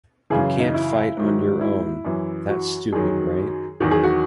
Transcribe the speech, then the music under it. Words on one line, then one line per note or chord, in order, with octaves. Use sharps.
You can't fight on your own, that's stupid, right?
F#2 C#3 E3 G#4
E4
D#4
E4
G#2 D#3 F#3
E4
F#2 E3
F#4
F#2 D#3 F#3 G#4
E2 D#3 F#3 F#4
G#4
F#4